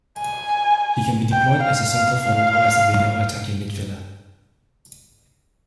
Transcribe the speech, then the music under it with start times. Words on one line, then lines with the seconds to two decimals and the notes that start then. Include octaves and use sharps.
He can be deployed as a centre-forward or as a winger or attacking midfielder.
0.19 G#5
1.32 G5
1.60 F5
1.89 F5
2.18 F5